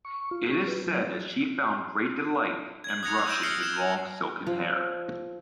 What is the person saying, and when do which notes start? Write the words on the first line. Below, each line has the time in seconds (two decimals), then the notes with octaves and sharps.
It is said that she found great delight in brushing his long silken hair.
0.05 C#6
0.31 F4
0.51 C#6
0.68 B4
0.86 F#3
2.84 G#6 F#7
3.03 D#6 F#6 G#6 A#6 C#7 F7
3.27 E6 G6 A#6 D7 E7
3.43 D#6 F6 A#6 C7 C#7 F#7
3.61 G6 E7 F#7
4.47 F3